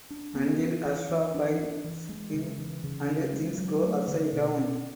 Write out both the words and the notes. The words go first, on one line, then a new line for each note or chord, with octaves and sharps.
Until Ashraf finds him and things go upside down.
D4
B3
E3
E3
E3
D4
D4
E3
G#3
C#3
E3
C#3
C#4
G#3
F#3
A3
D3
B2
C#4